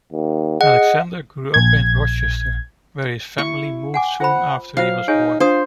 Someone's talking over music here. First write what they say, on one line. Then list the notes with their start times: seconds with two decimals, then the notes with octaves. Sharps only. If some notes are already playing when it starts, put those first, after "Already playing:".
Alexander grew up in Rochester, where his family moved soon after he was born.
0.13 D#2
0.61 G#4 D#5 F#5
1.54 A#1 G#6
3.38 E4 C#6
3.94 F#5 G#5 D6
4.20 F4 C5 F#5 B5
4.77 F#3 F4 C5 F5 G5
5.08 D#4 G#4 C#5 G#5
5.40 D4 F4 C5 D#6